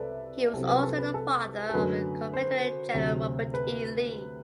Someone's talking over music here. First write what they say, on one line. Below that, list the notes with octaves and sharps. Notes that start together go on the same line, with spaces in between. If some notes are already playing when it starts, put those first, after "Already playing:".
He was also the father of the Confederate General Robert E. Lee.
Already playing: C2 C3 A4 B4 D5 E5
C2 C3 F#3 C4 A4
B4
A4
B4
A4
A4
F#2 D3 F#3 A3 B4
C5
D2 C3 F#3
B4